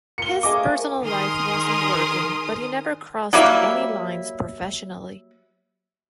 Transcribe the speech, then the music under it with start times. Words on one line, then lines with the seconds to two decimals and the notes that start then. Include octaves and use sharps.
His personal life wasn't working but he never crossed any lines professionally.
0.18 A#3 F4 C#7 G7
0.43 F3 A3 A#3 G#4 D#5 D6
1.02 D#3 G#4 A#4 C6 D#6 F6
3.33 F#3 G3 A#3 E4